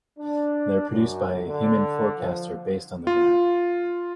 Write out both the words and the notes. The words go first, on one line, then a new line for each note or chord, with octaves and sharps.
They are produced by a human forecaster based on the ground.
D4
F#2
D3
F3
F4